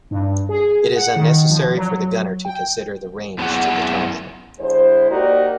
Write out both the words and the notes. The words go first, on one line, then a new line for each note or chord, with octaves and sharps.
It is unnecessary for the gunner to consider the range to the target.
G2
G#4
F#5
D#3
F3
F#3
G5
F#2 B3 E4 G#4 F#5
D3 G#3 E4 C5
A#3 D#4 F#4 G4 A#4 D5